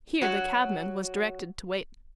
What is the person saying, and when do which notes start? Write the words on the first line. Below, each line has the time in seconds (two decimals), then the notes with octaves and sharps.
Here the cabman was directed to wait.
0.21 F#3 F#4